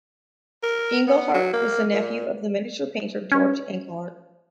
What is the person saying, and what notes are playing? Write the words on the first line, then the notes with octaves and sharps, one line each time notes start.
Engleheart was the nephew of the miniature painter George Engleheart.
A#4
B3
F#3
A#3
A#2
C#4